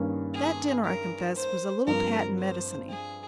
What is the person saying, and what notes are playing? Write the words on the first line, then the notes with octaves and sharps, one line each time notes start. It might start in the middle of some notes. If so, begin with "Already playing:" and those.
That dinner, I confess, was a little patent mediciney.
Already playing: G2 D#3 A#3 C#4
G#4
A#4
C5
G2 F3 C4 A#4
C5
G#4